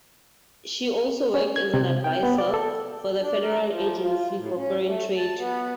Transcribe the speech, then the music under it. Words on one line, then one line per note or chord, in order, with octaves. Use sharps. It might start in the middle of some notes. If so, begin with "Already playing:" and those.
She also worked as an advisor for the Federal Agency for Foreign Trade.
C#4
G#6
C3
G5
B3
D5
A4
D4
A#4
F3
F4
A2
C#4
A3
A5
B3